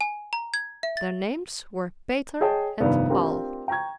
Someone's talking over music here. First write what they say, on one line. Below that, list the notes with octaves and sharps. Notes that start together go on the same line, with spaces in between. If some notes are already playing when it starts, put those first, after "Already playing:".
Their names were Peter and Paul.
G#5
A#5
G#6
E5
A6
G#4 C#5 D#5 G5 A5
F1 G2 D#3 B3 D5
C4 D4 F4 G4 A#4
G5 A#5 C#6 G#6